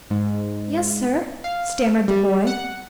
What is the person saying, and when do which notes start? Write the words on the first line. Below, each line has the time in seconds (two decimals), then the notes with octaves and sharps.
'Yes, sir,' stammered the boy.
0.10 G#2
1.44 F5
2.08 G3
2.47 F#5